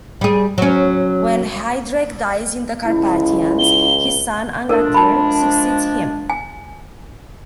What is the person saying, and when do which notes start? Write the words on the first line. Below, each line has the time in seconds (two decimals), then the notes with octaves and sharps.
When Heidrek dies in the Carpathians, his son, Angantyr, succeeds him.
0.21 G3 G#4
0.58 F#3 C#4
2.85 C#2 E4
3.59 G7
4.69 F3 G#3 D4 A4 A#4 D5
4.94 A5 B5
6.30 G#5